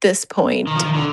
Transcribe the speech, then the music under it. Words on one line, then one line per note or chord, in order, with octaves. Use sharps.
this point
D#3
F3
D#3
D3